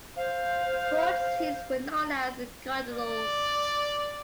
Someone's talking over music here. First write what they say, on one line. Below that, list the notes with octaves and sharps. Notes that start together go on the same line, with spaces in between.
Sports teams were known as the Cardinals.
C5 F5
D5